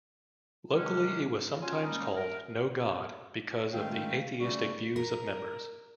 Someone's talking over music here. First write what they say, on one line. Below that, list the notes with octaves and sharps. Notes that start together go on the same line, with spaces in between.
Locally it was sometimes called "No God," because of the atheistic views of members.
F#2 C3 D#3 F#3 G#3 C#4
F#3 C#4 F4 G#5
D#3 G3 G#3 A#3 C#4 D#4
A#4
D#3 G#3 A3 C#4 F5 G5
C#3 G3 A3 C#4 F#4
A#4